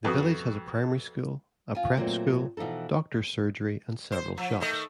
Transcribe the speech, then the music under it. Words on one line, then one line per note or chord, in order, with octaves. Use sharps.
The village has a primary school, a prep school, doctors' surgery and several shops.
F2 B3 F#4 D#6
F4 G#5
A#2 F#3 A3 C4
B2 E3 F3 D#4 A4
C5
F3
D#3 A3 D#5